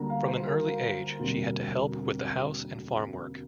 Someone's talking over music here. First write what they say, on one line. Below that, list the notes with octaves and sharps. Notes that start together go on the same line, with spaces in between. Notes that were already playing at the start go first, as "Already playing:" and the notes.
From an early age, she had to help with the house and farm work.
Already playing: D2 D3 G3 A#3 A#5
F5
C5
A#4
E1 D2 C3 G3 A#3